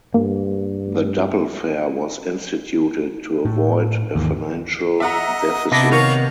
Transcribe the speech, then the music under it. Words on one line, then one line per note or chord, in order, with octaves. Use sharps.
The double-fare was instituted to avoid a financial deficit.
G2 A#3
A2
D#2 G#2 E3
D#5 E5 F#5 A#5
C3 B3 D4 E4 D#5
D#3 C#5 F5 C#6